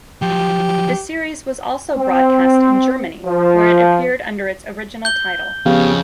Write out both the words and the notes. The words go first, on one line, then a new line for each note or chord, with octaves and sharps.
The series was also broadcast in Germany, where it appeared under its original title.
F3 F#3 G4
C4
F3
G6 G7
F2 C#3 B3 G4 F5